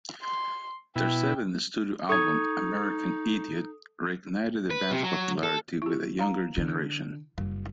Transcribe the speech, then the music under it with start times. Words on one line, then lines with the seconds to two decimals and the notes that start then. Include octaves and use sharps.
Their seventh studio album "American Idiot" reignited the band's popularity with a younger generation.
0.22 C6
0.96 B2 E4 G5
2.09 D#4 A4 C#6 D#6 G#6
4.70 B4
4.91 C3
5.03 F#3
5.43 A4
5.82 E4 G4
6.19 F5 A#5
6.57 D3
7.38 F#1 F#2 G3